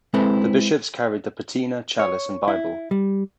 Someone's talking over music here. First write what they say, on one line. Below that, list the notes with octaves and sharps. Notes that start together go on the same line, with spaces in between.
The bishops carried the patina, chalice, and Bible.
G#3 C4 E4 A4 B4 C5
C#5
E4
G3